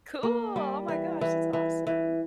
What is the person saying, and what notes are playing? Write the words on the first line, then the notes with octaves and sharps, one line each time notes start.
Cool! Oh my gosh. That's awesome.
A#3
G3
E3
E3
E3
E3